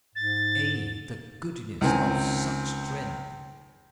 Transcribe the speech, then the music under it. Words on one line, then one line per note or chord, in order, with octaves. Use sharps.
Ay! the goodness of such strength!
G#2 A6
C#2 D#3 C4 G#5